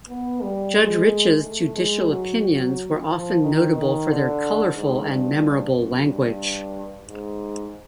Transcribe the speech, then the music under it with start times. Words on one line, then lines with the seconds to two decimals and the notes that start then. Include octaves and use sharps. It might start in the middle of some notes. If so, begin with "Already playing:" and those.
Judge Rich's judicial opinions were often notable for their colorful and memorable language.
0.09 B3
0.42 G3
0.76 G#3
1.42 A3
1.76 G#3
2.09 F#3
3.08 F3
3.42 D#3
3.75 D#3
4.09 D3
4.75 G#2
5.08 G2
5.75 F#2
6.09 G2
7.08 G#2